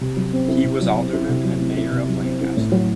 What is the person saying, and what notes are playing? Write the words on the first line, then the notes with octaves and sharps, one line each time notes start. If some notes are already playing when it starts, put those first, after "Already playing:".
He was alderman and mayor of Lancaster.
C3
F#3
C4
E4
C3
F#3
C4
E4
C3
F#3
C4
E4
C3
F#3
C4
E4
A2
F#3